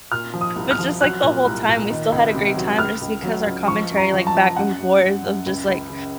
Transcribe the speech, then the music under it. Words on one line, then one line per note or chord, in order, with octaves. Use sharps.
but just, like, the whole time we still had a great time just because our commentary, like, back and forth of just, like,
A#2 F6
F3
D#6
C2
F6
F3
F#3 F#6
A#2
C2
A#2
D#3
C#2
C3
F#3
C#2 F6
C#2
F#3
C#2
F3 C#6
F#2
A#5
F3
A5
F3
F#2 F#5
F#2
F#2
F#2
C#2
C#2
C#3